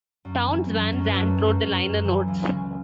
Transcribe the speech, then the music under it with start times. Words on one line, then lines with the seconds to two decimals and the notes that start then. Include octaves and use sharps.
Townes Van Zandt wrote the liner notes.
0.25 F#2
0.47 E3
0.70 F#2
0.93 F#2
1.05 B4
1.14 F#2 A4
1.38 F#2
1.60 F#2
1.83 F#2
2.05 E3
2.28 C#2
2.51 C#3